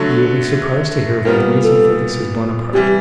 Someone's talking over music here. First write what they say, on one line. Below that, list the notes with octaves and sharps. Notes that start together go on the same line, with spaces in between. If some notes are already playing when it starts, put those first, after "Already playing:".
You will be surprised to hear that the reason for this is Buonaparte!
Already playing: D3 F#3 A3
A#2 G3 B3 A#4
A4
C3 E3 G3 G4